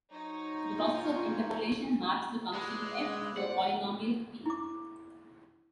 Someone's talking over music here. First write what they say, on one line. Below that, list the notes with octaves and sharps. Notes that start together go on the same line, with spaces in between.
The process of interpolation maps the function "f" to a polynomial "p".
F#3 D#4 C5 C#5
A#2 F4
G#3 E4 B4 D5
C5 D5 F#5
E4 D6